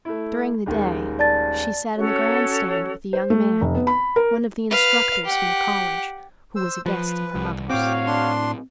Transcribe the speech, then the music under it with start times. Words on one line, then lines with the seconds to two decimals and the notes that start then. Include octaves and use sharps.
During the day she sat in the grand-stand with a young man, one of the instructors from the college, who was a guest of her mother's.
0.05 A3 E4
0.66 D#1 D#3 G#3
1.19 D5 A5 A6
1.96 C#4 F#4 A4 C#5
3.13 C5
3.30 A3
3.61 F1
3.75 B3
3.87 B5
4.16 A#4
4.70 B4 F5
5.25 G4 F#5
6.56 C5 E6
6.86 F3 B4
7.35 C2
7.70 A2 C4 F#4 C#5 F5 G5 D6
8.07 D4 C6